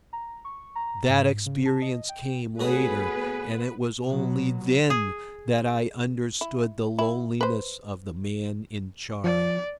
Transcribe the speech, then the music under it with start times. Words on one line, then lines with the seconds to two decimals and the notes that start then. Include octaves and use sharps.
That experience came later, and it was only then that I understood the loneliness of the man in charge.
0.13 A#5
0.45 C#6
0.75 A#5
1.09 G#2
1.46 C#3
1.66 A5
1.82 D#5
2.09 G5
2.60 A2 B3 F#4 G#4 B4 D#6
4.07 B2 F#3
4.90 G#4
6.41 E4
6.99 E4
7.41 B4 C5
9.24 F3 D5